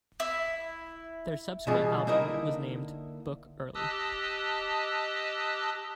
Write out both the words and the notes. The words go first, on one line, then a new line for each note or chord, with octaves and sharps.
Their subsequent album was named "Book Early".
E4
B2 E3 G3 F4 G#4
D3 A#3 D#4 E4 A#4 D#5
G4 D#5 A5 D#6 E6 F#6